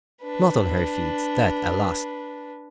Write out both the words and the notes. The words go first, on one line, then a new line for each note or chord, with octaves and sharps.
Not on her feet: that, alas!
D4 B4